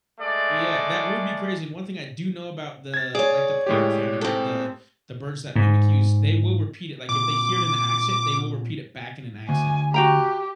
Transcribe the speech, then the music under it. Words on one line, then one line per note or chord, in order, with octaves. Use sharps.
Yeah, that would be crazy, and one thing I do know about the, like, the parrot family, right, the the birds that mimic you, is they will repeat it, like, if they hear it in an accent, they will repeat it back in an accent.
G#3 A3 D5
G#6 A6
G#4 C#5 D5
A2 G#3 G4
C4 A4
G#2
A#2 C4 D6
D2 G#5
F#4 G4 G5 A#5